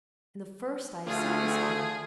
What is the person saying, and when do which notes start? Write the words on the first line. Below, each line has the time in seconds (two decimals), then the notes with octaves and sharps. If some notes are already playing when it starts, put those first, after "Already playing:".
And the first I have seen this spring.
1.06 D2 A3 F4 G#4